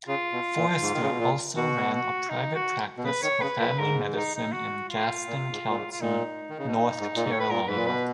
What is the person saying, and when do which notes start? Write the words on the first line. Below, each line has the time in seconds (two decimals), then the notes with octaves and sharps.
Forrester also ran a private practice for family medicine in Gaston County, North Carolina.
0.08 C#3 F4
0.32 B2
0.57 A#2
0.81 G#2
0.94 D#3
1.02 C#3
1.10 B2
1.19 A#2
1.56 B2 F#4
1.93 F#4
2.29 D#4
2.54 F#4
2.97 B2
3.04 C#3 B4
3.23 D#3 C#5
3.41 C#3 B4
3.60 A#2 B4
3.78 G#2 A#4
4.15 D#4
4.35 D#4
4.52 F#4
4.89 F4
5.27 A#2
5.51 G#2
5.69 A#2
5.76 G#2
5.91 F4
6.01 A#2 D#4
6.49 D#3
6.58 C#3
6.67 B2
6.75 A#2
7.00 G#2
7.16 A#2
7.25 G#2
7.31 C#5
7.40 B4
7.49 A#2 A#4
7.67 G#2 B4
7.76 A#2
7.86 B2 B4